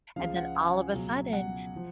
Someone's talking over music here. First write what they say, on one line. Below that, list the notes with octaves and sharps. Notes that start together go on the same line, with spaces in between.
And then all of a sudden,
C#2 C#3 F3 F5
F#5
G#5
C#2 B2 F#3
F#5
F3